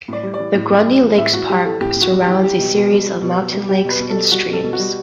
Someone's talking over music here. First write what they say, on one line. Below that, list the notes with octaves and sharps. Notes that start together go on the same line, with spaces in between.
The Grundy Lakes Park surrounds a series of mountain lakes and streams.
A2 D5
G3
D5
E3
A2
A2
G3
E3
A2 E5
A2 F#4
G3 G4
E3 A4
A2 G4
A2
F#4
G3
E3 G4
G3 G4
B2
B2
G3
G3
B2
B2
G3
G3 G4
B2
B4
B2
A4
G3
G3 F#4
B2
A4
B2
F#4
G3